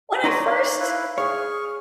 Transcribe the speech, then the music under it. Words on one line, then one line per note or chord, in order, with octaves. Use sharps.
When I first
D#4 C#5 D5 A#5 C6
E4 B4 F5
G#4 C#5 C#6 F6